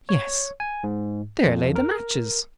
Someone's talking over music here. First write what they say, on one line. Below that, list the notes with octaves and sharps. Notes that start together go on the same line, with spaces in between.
Yes, there lay the matches.
C#5
G#5
G#2
F2
A#4